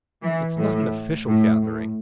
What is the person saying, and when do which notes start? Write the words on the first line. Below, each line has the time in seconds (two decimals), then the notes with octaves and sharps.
"It's not an official gathering."
0.23 E3
0.58 A2
1.27 A2
1.61 A2